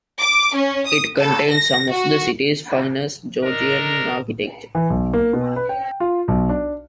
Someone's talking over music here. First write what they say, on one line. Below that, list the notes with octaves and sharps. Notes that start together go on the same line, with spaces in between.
It contains some of the city's finest Georgian architecture.
D6
C#4
D#6
A4
A#6
F#4
D4 D#4 A#4
E3
B1
A#3
B2
B4
G5
F4
B1
D4